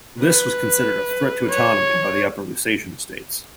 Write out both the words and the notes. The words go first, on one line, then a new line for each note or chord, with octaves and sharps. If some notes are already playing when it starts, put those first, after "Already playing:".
This was considered a threat to autonomy by the Upper Lusatian estates.
B4
C#5